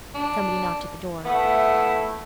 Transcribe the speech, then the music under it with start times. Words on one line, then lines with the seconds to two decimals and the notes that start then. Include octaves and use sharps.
Somebody knocked at the door.
0.15 D4
1.25 A3 B3 E4